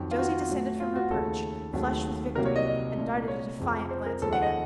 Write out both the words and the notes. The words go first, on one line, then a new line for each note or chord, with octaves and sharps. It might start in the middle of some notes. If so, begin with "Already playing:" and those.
Josie descended from her perch, flushed with victory, and darted a defiant glance at Anne.
Already playing: F2 D#3 F#3
F4
F#4
A2 F#3 A3
F4
F#4
D#2 C#3 A3 A4
D#2 C#3 F#3 A3
C2 C3 F#3 A#3 A#4
C#5
D#5
D#5
C2 A#2 A3
C#5
F2 C#3 F3
C5
A#4
D#2 C#3 F3 A4
F#5
D#5